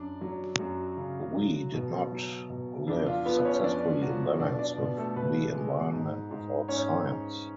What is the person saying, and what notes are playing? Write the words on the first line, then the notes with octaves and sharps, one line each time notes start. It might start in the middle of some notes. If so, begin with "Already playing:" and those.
We did not live successfully in balance with the environment without science.
Already playing: F#2 D4 D5
F#3
F#2 F#3 F#4
C#3
F#3
B2
F#3
B2
F2 D4
F4
F3 B3 B4
C#4 C#5
F2 D4 D5
F3 F#3 F#4
B2 D4 D5
D4 D5
B2
A3 A4
B2 B3 B4
G#3
G#2
G#2
G#2 C#4 C#5
G#2